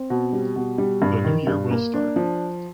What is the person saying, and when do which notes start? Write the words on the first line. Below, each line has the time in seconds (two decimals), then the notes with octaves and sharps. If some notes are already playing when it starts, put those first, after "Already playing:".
The new year will start.
Already playing: C4
0.10 B2
0.33 G3
0.56 B2
0.78 G3
1.02 G2
1.24 D#3
1.47 G2
1.71 A#3
1.94 D4
2.16 F3